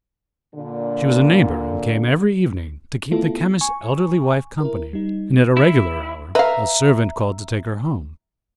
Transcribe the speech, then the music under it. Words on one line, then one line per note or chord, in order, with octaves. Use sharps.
She was a neighbour, and came every evening to keep the chemist's elderly wife company, and at a regular hour a servant called to take her home.
A#2 D3
A3 B3 E4 F4 A4
G#5 C#6
E4 A#4
G3 D#4
E4
B4 E5 F5 A#5